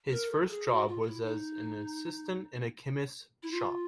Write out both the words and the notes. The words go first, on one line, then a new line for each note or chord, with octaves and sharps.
His first job was as an assistant in a chemist's shop.
A#4
A4
G#4
F#4
F4
F4
E4
D#4
E4
F4